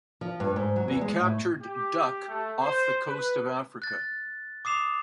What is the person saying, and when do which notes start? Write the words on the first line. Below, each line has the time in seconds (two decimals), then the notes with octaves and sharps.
The captured "Duck" off the coast of Africa.
0.21 F3
0.40 G2
0.56 G#2
0.76 F#3
0.88 E2
1.01 G#3
1.20 A2
1.61 G4
2.27 A3
2.61 C5
3.06 B4
3.82 F#6 A6
4.65 D6 D#6 C7 E7 F7